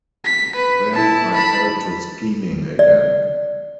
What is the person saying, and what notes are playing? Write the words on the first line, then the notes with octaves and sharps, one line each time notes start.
Then I fell to scheming again.
B6
B4
E4 A5
A5 B5
D5